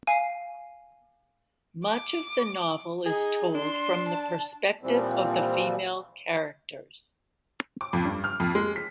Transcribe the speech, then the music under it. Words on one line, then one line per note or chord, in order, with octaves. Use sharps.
Much of the novel is told from the perspective of the female characters.
F5 G#5 C7
D6
D#4 G#4
D4 C6
A5
A#2 E3 F3 G3 C4
D6
F2
G2
F6
F2
G#3
B6